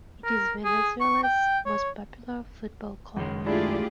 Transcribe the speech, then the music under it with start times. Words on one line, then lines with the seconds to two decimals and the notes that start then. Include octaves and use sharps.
It is Venezuela's most popular football club.
0.24 A#4
0.64 G#4
1.01 C#6
1.24 G5
1.66 C#5
3.17 C#2 F#2 D#3 G#3
3.46 A3 D4 E4 F4 G4 G#4 D5